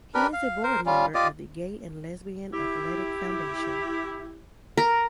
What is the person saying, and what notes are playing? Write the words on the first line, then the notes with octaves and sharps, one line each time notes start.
He is a board member of the Gay and Lesbian Athletics Foundation.
D4 G4 A#4 B4
F5
A#4 C5
G3 C#4 F4
F4 G4 D5 D#5
E4 G4
A#4